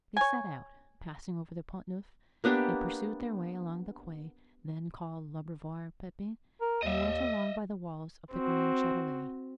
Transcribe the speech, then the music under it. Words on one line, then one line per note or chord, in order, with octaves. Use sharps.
They set out, passing over the Pont Neuf; they pursued their way along the quay then called L'Abreuvoir Pepin, and went along by the walls of the Grand Chatelet.
C#5 G#5
A#3 B3 D4 G4
A#4
D#2 D#5 E5
C4 F#4